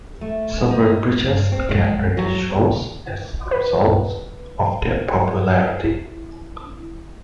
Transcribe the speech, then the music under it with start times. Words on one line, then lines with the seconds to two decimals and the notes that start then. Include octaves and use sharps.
Several preachers began radio shows as a result of their popularity.
0.21 A3
0.70 D#4
1.25 G2
1.52 C4
1.69 G#3
2.17 F#3
3.51 B4
5.84 E4